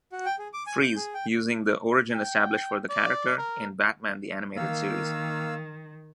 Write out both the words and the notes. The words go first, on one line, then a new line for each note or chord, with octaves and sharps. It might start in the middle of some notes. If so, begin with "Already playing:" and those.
Freeze, using the origin established for the character in Batman the Animated series.
F#4
G5
G#4
D6
G#5
G6
G#4
G5
G5
D5
A#4
D#3 A#3 F5 E6